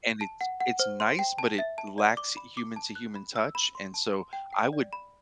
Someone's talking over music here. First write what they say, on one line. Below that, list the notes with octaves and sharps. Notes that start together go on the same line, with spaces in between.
and it's it's nice, but it lacks human-to-human touch and so I would,
A5
F#5
F#5
C5
C6
G5
A5
E5
A5
D5
D6
B5
D6
A5
F#6
B5
E6
B5
C6
A5
C6
G5
G5
D5
B5